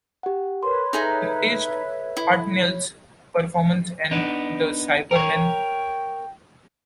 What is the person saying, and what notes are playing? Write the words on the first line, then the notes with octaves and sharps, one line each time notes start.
He praised Hartnell's performance and the Cybermen.
G4 F#5
A#4 B4 C#5 C6
D#4 G#4 A4 E5 A#5
E4
C#5
B3 D4 D#4
A#4 C#5 G5